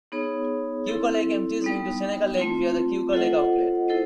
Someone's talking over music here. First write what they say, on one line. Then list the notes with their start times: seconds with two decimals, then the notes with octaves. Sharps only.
Keuka Lake empties into Seneca Lake via the Keuka Lake Outlet.
0.12 B3 D#4 G#4 C#5
0.87 C4 E4 A4
1.62 G3 B3 D#4
2.37 A3 C4 F4
3.13 F4 A4 C5 D#5 F#5
3.88 E4 A4 C5 D#5